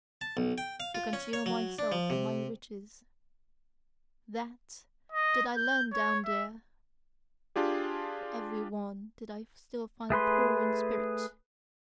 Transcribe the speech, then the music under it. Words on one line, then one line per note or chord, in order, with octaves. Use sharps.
To conceal myself and my riches--THAT did I learn down there: for every one did I still find poor in spirit.
A5
B1
G5
F5
F4
C#4
C#5
F#3
D4
F3
C3
D#5
G6
C#5
E5
D4 F4 G4 G#4
A3 G#4 B4 C6